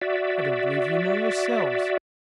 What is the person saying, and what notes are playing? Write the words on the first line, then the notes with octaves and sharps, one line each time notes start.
I don't believe you know yourselves.
F#4 D5 E5